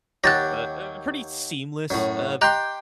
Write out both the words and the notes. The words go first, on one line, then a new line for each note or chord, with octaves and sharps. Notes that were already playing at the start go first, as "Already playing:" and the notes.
But, um, pretty seamless, um,
D#2 F#3 G4 F#6 A6 A#6
F#2 A2
G4 D#5 G5 A#5 C6 F#6